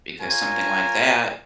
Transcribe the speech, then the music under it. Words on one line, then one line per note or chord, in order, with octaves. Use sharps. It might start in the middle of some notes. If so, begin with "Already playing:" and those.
because something like that.
F4 A#4 C#5 G#5